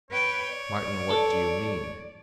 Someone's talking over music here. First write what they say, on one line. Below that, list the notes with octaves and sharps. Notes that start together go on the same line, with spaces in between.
"Martin--what do you mean?"
B4 C#5 G5
D5
A4